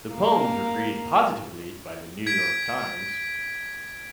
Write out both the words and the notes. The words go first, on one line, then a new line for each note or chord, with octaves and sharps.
The poems were greeted positively by "The New York Times".
A#3
G#6 B6 D7